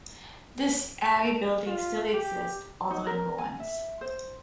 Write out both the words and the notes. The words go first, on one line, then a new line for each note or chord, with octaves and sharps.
This abbey building still exists, although in ruins.
F4
G4
D#4
A#4
G#5
E5
C5